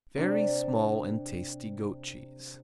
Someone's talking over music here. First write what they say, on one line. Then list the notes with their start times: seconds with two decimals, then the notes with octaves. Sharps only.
Very small and tasty goat cheese.
0.17 C3 D4